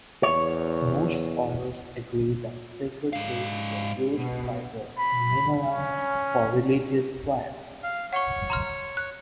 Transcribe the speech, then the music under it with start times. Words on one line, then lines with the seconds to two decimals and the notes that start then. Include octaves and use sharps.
Most scholars agree that sacred caves were used by the Minoans for religious rites.
0.23 E2 C#5
3.13 G#2 F5
4.14 B2
4.98 B5
5.69 C#4
7.83 F5
8.13 C#5 F#5 C#6
8.50 A#5 C6 F6
8.97 F#6